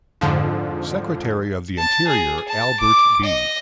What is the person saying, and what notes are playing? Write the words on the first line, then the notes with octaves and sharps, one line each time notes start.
Secretary of the Interior Albert B.
F2 G#2 D3 F3
A5
G#4
A5
D6
D#5